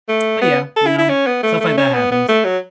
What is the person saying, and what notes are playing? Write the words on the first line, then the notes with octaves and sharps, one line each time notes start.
But, yeah, you know, stuff like that happens.
A3
B3
A4
E4
E4
C#4
B3
A3
A3
C#4
B3
B3
A3
F#3